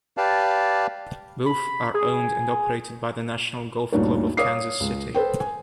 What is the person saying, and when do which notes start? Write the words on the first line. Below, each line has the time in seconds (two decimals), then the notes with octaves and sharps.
Both are owned and operated by the National Golf Club of Kansas City.
0.17 G4 B4 D5 F5 A5
1.46 B5
1.94 G#4
3.92 D2 G2 A#2 D4 D#4 C#5
4.37 C#5 F5 D6 D#6 C7
4.80 C#2
5.15 A4 B4 C5 G5
5.40 G#5